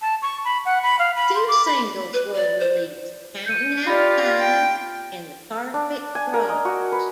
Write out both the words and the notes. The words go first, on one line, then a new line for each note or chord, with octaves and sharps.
Two singles were released, "Counting Out Time" and "The Carpet Crawlers".
A5
C#6
B5
F#5
B5
F5
B5
C6
D6
B5
B4
D5
C5
G6 C#7 D#7
F4 G4 D5 B5
G5
D4
G#5
A#4
D#5
F#4
B4